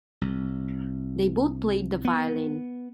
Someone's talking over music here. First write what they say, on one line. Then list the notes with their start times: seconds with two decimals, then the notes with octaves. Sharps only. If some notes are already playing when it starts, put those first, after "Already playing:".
They both played the violin.
0.21 C2
2.05 B3